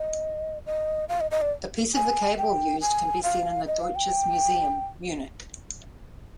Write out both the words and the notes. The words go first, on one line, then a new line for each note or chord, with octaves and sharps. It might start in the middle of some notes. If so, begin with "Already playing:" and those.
A piece of the cable used can be seen in the Deutsches Museum, Munich.
Already playing: D#5
D#5
F5
D#5
D#5
D5
G#5
G5
G#5
F5
D#5
F5
G5